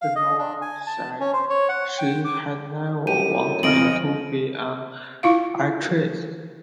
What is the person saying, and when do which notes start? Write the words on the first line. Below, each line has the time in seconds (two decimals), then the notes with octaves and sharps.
Donovan said she had never wanted to be an actress.
0.02 F5
0.16 D#5
0.38 D4
0.62 G#5
0.87 A5
1.20 C#4
1.33 C5
1.50 C#5
1.69 F#5
1.98 G5
2.25 D6
3.07 F#2 A2 G4 D#7
3.63 B1 F2 D#5 F6 D7 F#7
5.23 E4 F4 F5